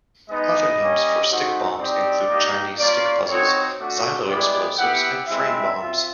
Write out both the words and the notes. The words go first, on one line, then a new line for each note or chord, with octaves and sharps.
Other names for stick bombs include Chinese stick puzzles, xyloexplosives, and frame bombs.
G#3 B3 D#4 D#5
G3 A#3 C#4
A3 C4 D#4 F#4
C4 D#4 G4 D5
A#3 D#4 G4
A#3 C#4 F4 D5
C4 D#4 F#4 C#5
A3 D4 F#4
G#3 B3 E4 G4 D5
B3 E4 G4 F#5
G#3 C4 E4 E5
C4 F4